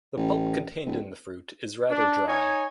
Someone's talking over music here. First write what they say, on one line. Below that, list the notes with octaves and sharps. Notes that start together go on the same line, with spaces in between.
The pulp contained in the fruit is rather dry.
A1
D1
D4
D#4 C#5 G#5